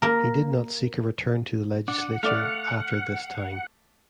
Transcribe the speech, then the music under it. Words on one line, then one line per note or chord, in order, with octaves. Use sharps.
He did not seek a return to the legislature after this time.
A#3 A#4
D4 F#5
A3 D5 F5